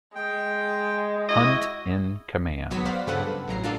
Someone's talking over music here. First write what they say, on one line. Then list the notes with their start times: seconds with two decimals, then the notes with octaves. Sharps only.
Hunt in command.
0.15 G#3 G5
1.29 E4 F#4 D#5
2.70 G#2 F#3 B3 F#4 B5 B6
2.85 C5 D5 F5 F#5
3.07 G2 C#3 A4 B4 F#5
3.48 A1 F#3 A#5 C7
3.64 D4 F4 A4